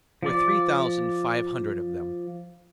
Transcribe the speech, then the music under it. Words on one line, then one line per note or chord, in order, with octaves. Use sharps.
There were three thousand five hundred of them.
F3 D5